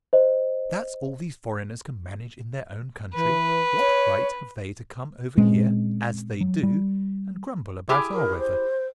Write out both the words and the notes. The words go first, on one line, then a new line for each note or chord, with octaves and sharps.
"If that's all these foreigners can manage in their own country, what right have they to come over here, as they do, and grumble about our weather?"
C5 D#5
E3 B4
C#5
A#2 G#3 C4 C#4
F#3
G3
E4 G4 G#4
A#4
C5